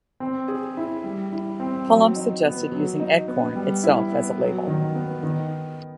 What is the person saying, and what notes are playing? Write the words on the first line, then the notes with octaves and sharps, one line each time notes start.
Pullum suggested using "eggcorn" itself as a label.
C4
G#4
E4
G3
E4
C4
F#3
D#4
B3
F#3
D#4
B3
G3
E4
B3
F#3
D#3
B3
D#3